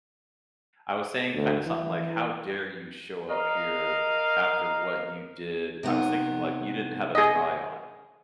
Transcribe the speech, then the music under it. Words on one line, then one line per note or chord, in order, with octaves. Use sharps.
I was saying kinda something, like, "How dare you show up here after what you did?" I was thinking, like, "You didn't have a tie on."
D2
E3
A#4 D#5 F5
C3 D#3 B3
G#4 D#5